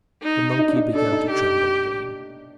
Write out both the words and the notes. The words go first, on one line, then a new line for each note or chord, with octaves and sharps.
The monkey began to tremble again.
D#4
D#4
D4
D#4
D4 A4
D#4
G4